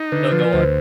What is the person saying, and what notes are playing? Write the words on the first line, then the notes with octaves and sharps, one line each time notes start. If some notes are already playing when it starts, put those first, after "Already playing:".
No, go on.
Already playing: D#4
D3 B4
F3 B4
D2 C5